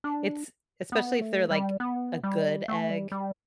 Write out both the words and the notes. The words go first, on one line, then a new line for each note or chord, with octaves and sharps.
it's especially if they're, like, a good egg,
D4
B3
A3
G3
B3
G3
A3
G3
G3